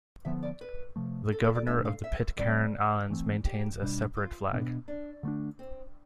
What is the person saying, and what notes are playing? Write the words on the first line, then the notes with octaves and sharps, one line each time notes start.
The Governor of the Pitcairn Islands maintains a separate flag.
D3 F3 B3 E5
D5
B4
C3 F3 A3
A4
A4
D5
B2 A3 D4 E5
F5
E5
A2 G3 C4 D5
E3 A3 C4
G4
B2 G3 D4
F4
B2 B3 D4
D4
D3 A3 D4
C4